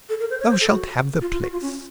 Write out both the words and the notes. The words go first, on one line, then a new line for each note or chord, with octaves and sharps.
"Thou shalt have the place."
A4
A#4
C5
C#5
C5
A4
F#4
F4
F4
F#4
F4
C#4